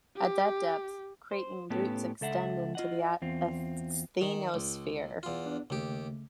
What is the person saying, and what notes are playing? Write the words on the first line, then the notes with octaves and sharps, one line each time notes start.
At that depth, craton roots extend into the asthenosphere.
G4
C5
A2 B3 C#4 G4 A4
C#2 A4 E5 F#5
F4 D#5 F#5
E2 C4 F4
D#3
C#2
E2 F4
B3 D4
D#2 C#3 A3 G4